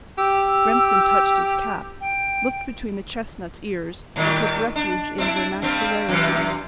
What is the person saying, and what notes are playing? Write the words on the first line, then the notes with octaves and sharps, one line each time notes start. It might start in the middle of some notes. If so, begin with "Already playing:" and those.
Remsen touched his cap, looked between the chestnut's ears, and took refuge in vernacularity.
G4 E6
G5
A2 D#3 G3
D4
C4 D4 E4
G2 G3 C4
F#2 C3 E3